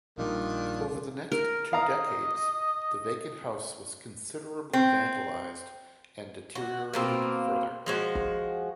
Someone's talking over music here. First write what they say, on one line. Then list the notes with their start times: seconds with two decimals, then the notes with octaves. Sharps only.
Over the next two decades, the vacant house was considerably vandalized and deteriorated further.
0.18 A#1 A#2 D#3 G3 D4 F4
1.32 A#4
1.73 D#5 F5 A#5
4.73 C4
6.55 F#4
6.93 B2 A#3 C4
7.86 F3 G#3 F#4